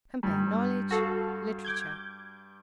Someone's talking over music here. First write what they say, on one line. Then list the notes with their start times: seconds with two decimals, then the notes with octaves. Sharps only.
Compare KNOWLEDGE; LITERATURE.
0.23 G2
0.91 F#4 A4 F5
1.65 D6 G6 G#6